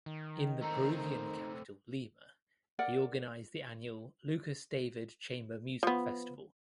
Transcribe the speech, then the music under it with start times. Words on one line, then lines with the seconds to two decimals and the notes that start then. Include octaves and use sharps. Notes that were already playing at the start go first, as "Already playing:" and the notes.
In the Peruvian capital Lima he organised the annual "Lukas David Chamber Music Festival".
0.06 D#3
0.62 A3 C4 A#5
0.96 D#4
2.79 A#4 D5 F#5
5.83 F3 B3